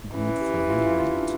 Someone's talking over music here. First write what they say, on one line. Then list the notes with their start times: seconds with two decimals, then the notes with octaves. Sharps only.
Good for any rent.
0.14 E3 C#4
0.41 G4
0.69 F4
0.79 E4
0.86 F4
0.99 F4
1.15 D4